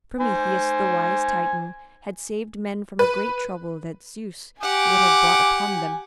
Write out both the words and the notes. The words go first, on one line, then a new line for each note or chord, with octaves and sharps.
Prometheus, the wise Titan, had saved men from a great trouble that Zeus would have brought upon them.
C5 G#5
B4
G4 F#5 G#5 D6